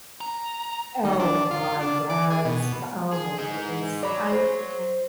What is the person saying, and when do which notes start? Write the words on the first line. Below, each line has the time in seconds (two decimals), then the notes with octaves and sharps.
Oh my, yes, m oh my goodness. I
0.21 A#5
1.05 D#3
1.19 D4
1.51 F4
1.81 D4
2.10 D5
2.30 G#4
2.45 B2
3.13 G#4
3.38 D#4 G#4
4.03 F#3 D5 B5
4.32 C5